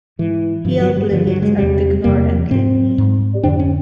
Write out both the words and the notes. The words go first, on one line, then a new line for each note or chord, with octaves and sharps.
He held livings at Bicknor and Lydney.
G#2 E3
G2 D3 F3
F#3
G3
G2 D3 F3
F#3
G#3
E2 C3 G3
E2 C3 A#3
G#2 C4
G#2
F2 D3 D4
C#4